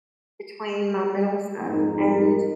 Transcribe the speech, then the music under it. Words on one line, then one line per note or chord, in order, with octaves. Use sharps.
between my mental stuff and
F2 G#2 D#4 A#4